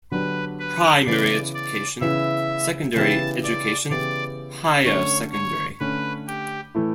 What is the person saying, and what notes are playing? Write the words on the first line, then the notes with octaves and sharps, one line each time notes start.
Primary Education, Secondary Education, Higher Secondary.
D3 F#3 B3 D4 G4 B4
B4
C#3 E3 B3 E4 D5
D5
C#3 E3 B3 E4 E5
C#3 E3 B3 E4 G4 A5
D5
C#3 E3 B3 E4 G4 D5
D3 A3 C#4 C#5
C#5
D3 A3 C#4 B4
G4
A2 E3 A3 E4